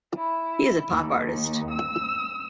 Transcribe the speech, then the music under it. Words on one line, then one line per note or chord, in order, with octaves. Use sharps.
He is a pop artist.
E4
D#2
E6